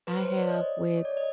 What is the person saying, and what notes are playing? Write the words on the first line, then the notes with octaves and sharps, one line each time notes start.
I have with
B4
C5
C#5
D5
D#5
C#5
D5
D#5